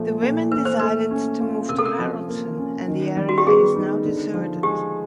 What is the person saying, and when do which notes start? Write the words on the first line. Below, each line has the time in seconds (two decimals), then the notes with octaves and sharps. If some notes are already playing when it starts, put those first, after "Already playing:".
The women decided to move to Haraldssund, and the area is now deserted.
Already playing: A#2 F3 A3
0.22 A#2
0.52 E3 B4
0.65 C5
0.80 A3 B4
1.11 C#4
1.40 F4
1.69 C3 A#4
1.79 A4
1.86 A#4
1.99 F3
2.29 A#3
2.58 C#4
2.87 D#3
3.17 G3
3.29 F#4
3.38 G4
3.46 B3 G#4
3.76 D#4
4.05 D3
4.34 F3
4.63 G#3 G4